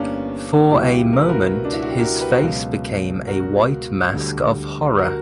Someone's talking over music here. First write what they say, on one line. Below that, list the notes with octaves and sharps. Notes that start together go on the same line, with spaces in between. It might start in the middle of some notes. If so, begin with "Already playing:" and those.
For a moment his face became a white mask of horror.
Already playing: G1 G2 E3 G3 A#3 B3 C#4 D4
C#2 B2 F#3 E4 G4
A#4
B4
F#4 A#4
D4
E4
F#4
G4
F#4 A#4
G4 B4
F#4 A#4
C#2 B2 F#3
F#4 A#4
D2 D3 G3
F#4 A#4